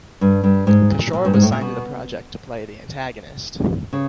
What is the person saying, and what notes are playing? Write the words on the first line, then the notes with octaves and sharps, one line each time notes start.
Kishore was signed to the project to play the antagonist.
G2
G2
G#2
A#2
A#2
G2
G#2
A2
A#2
B2
C#3